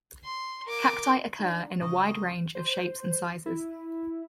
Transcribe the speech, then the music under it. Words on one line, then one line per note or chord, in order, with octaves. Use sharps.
Cacti occur in a wide range of shapes and sizes.
C6
A#4 D6
D4 D#4
C#2 C#5 D#5
C5
E4